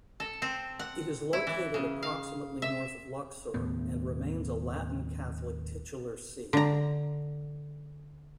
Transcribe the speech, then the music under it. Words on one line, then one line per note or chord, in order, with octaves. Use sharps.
It is located approximately north of Luxor and remains a Latin Catholic titular see.
A4
C4
F#5
E4
E3
C#3
F5
E5
D#2 A2 B3
D3 A#5